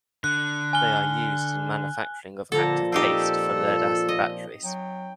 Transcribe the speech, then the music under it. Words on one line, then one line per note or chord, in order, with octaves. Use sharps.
They are used in manufacturing of active paste for lead acid batteries.
D3 F#6
G#5 F6 G7
A#2 D3 F3 A4 A#5
C4 D#4 G4 A4
D#5
F#3 G5